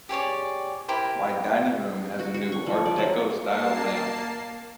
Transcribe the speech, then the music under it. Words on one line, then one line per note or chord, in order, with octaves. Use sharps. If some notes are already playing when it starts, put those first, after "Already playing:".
My dining room has a new art deco style lamp.
G4 G#4 C#5 D5
E4 G4 A#4 C5
F#4
F#4
C#6
F3
D5
F#3
A#3 A5 C7